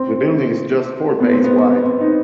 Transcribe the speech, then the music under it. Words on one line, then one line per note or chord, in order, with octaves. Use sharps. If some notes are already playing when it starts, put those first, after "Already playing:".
The building is just four bays wide.
Already playing: C4
B3
C4
B3
C4
D#4